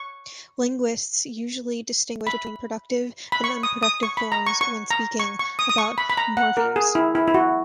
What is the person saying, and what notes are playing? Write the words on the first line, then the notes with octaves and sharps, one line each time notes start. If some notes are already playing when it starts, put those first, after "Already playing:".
Linguists usually distinguish between productive and unproductive forms when speaking about morphemes.
Already playing: C#6
B5
B5
C#6
D#6
D#6
C#6
B5
A#5
C#6
C#6
A#5
C#6
C#6
D#6
D#6
C#6
B5
B5
A#5
F#5
A#4
G#4
E4
E4
E4
F#4